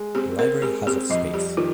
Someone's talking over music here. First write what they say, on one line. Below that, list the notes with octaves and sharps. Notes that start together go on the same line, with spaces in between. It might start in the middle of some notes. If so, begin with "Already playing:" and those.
The library has of space.
Already playing: G#3
C4 G4
C4 A#4
G#3 G4
C4 G4
F2 D#5
G3 G4
D#3 F4